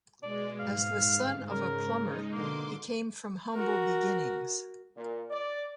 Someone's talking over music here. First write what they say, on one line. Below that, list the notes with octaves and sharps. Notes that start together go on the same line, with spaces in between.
As the son of a plumber, he came from humble beginnings.
B2 G#3 D5
G#2 F5
G1
C#3 A#4
G#3 D#4
B2 D3 A#3 C6 D6
F#4 A#4
A#2
D5